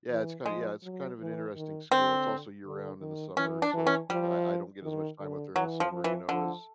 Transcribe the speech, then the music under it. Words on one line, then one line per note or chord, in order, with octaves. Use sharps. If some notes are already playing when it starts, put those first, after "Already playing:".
Yeah, it's kinda yeah, it's kind of an interesting school, it's also year-round in the summer, so I I don't get as much time with her in the summer, you know, as
E3
F3 G#3
F#3
E3
D#3
D3 C4
D3
D#3
E3 C#4
D4
E3
C#4
F3 G3
D#3
D3
E3 F#3
F3
F3
E3
D3 F3